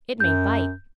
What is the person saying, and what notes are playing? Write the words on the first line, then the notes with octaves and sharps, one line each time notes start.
"It may bite!"
F#2 G6